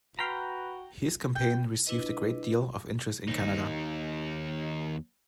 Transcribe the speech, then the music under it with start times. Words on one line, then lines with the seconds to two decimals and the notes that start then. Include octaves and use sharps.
His campaign received a great deal of interest in Canada.
0.19 F#4 B4 G5 A#5 C6 F6 B6
1.35 G5
1.87 D4 E4 B4 D#5
3.28 D#2 D#4